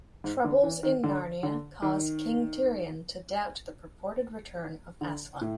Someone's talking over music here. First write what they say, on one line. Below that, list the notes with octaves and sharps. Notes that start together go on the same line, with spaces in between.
Troubles in Narnia cause King Tirian to doubt the purported return of Aslan.
G#2
D3
E3
D#3
D3
D3
D#3
D3
A2